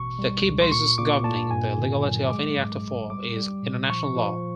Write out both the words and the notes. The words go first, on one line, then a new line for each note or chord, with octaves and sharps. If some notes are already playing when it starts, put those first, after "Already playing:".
The key basis governing the legality of any act of war is international law.
Already playing: A1 B2 C#6
G3
C#2
C6
A#2 C#6
A#2 D6
A#2 A5
G2 G#5
D3
F#3
G#3 D6
G#2
A1
G3 D6
G3
A#2
F3 C#6
F3